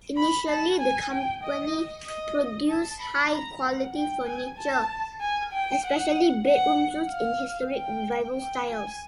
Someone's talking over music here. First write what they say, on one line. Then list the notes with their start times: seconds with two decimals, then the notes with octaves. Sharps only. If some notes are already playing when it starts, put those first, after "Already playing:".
Initially the company produced high quality furniture, especially bedroom suites, in historic revival styles.
0.17 B5
0.48 A5
0.80 G#5
1.12 G5
1.43 D#5
2.06 D#5
2.69 A5
3.00 B5
3.33 A#5
3.63 F#5
3.96 G5
4.26 G#5
4.58 A5
5.21 G#5
5.53 G5
5.85 F#5
6.47 F#5
7.10 F5
7.73 G5
8.37 G5
8.69 G#5